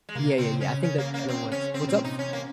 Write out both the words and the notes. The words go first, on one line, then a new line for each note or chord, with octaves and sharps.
yeah, yeah, yeah, I think that's kinda what's What's up?
G#3
C3 A#3
C#3 C4
C#3 C#4
C#4
A#3
A#3
C4
C#4
C#3 C4
A#2 C4
C3 D#4
C3 C#4
A#3